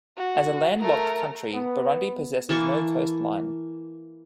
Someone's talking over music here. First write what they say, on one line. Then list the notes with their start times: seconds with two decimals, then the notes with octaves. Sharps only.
As a landlocked country, Burundi possesses no coastline.
0.17 F#4
0.79 A3 A#4
1.54 B3
2.49 E3 A#3 A5 C#6